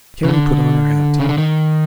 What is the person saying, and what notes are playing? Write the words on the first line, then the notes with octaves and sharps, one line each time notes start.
Carrie put on her hat.
C#3
D3
C#3
D3
D#3